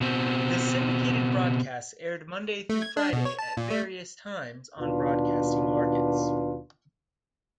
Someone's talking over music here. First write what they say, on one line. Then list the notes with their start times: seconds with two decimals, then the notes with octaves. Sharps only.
The syndicated broadcasts aired Monday through Friday at various times on broadcasting markets.
0.01 B2 C4
2.69 A3
2.82 G#6
2.97 D4
3.13 B2
3.25 C#5
3.39 A5
3.57 A#2
3.71 A3
4.78 D#2 B2 D4 F4 B4